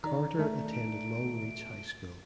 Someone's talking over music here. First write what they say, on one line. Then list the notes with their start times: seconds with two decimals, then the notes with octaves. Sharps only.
Carter attended Long Reach High School.
0.04 D#3 D#4 D5 A#5
0.38 A3
0.73 D7